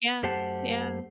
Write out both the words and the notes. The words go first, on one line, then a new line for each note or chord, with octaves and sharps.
Yeah, yeah.
F#2 A3 G4 C5 F#5 A5